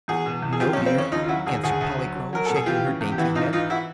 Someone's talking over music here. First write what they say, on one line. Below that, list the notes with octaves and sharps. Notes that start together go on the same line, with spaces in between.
"No dear," answered Polychrome, shaking her dainty head.
E2 F#4 G#4
B2
E2
G#4
F2 F4 G4
C#4
F2
C4
C#3 C#4
D#2 D#4 F4
F4
F#3 E4 F#4
D#2 F#4 G#4
D2 F#4 G#4
D2
F#3
F#3
F#3 A#4
B2 A4
G#4
E3 F4 G4
C#3
E2
G4
E3 E4 F#4
G#2 D#4 F4
E3 D#4 F4
E4 F#4